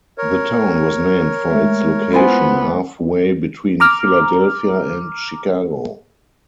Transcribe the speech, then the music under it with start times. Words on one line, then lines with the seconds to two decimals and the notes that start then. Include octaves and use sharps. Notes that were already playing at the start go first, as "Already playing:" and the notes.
The town was named for its location halfway between Philadelphia and Chicago.
0.18 A#4 C#5
1.50 G#3 A3 E5
2.13 B3 E4 F4 C5 G#5
3.80 A#5 D6 F6